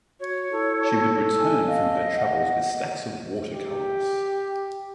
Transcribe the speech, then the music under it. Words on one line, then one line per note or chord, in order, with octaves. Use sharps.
She would return from her travels with stacks of water colours.
F#4 C#5
E4 A4
G#5
D#5 F5
F#5
G4